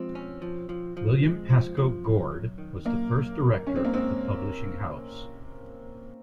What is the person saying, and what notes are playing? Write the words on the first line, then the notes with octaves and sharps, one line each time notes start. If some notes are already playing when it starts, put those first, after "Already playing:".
William Pascoe Goard was the first director of the publishing house.
Already playing: F3 G#3 C4
C#4
F3
F3
F3
G#3
F3
F3
F#2
F#2
D#3
F#2 A#3
F#2
F#2
F#2 C#4
C4
A#3
G#3 C4